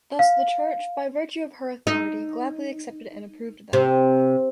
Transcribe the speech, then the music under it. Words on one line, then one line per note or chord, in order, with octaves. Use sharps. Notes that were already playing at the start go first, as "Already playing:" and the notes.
Thus the Church, by virtue of her authority, gladly accepted and approved them.
F5
D#4
C3